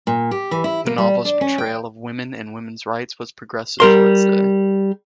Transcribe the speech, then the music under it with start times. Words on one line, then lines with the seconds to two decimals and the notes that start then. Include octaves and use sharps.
The novel's portrayal of women and women's rights was progressive for its day.
0.07 A#2
0.31 G4
0.51 E3
0.64 E4
0.86 A#3
0.98 G3
1.25 D4
1.41 C#4
1.58 G5
3.80 G3 A#4 C6